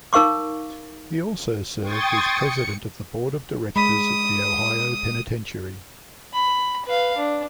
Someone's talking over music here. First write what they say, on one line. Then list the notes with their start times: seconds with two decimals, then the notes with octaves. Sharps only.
He also served as president of the board of directors of the Ohio Penitentiary.
0.13 D#4 A#4 F5 C#6 D6
1.81 G5 C6 C#6 D#6 G#6 A6
2.33 C#7
3.76 G#3 B5 D#6 B6
6.33 B5
6.86 B4 F5
7.17 D4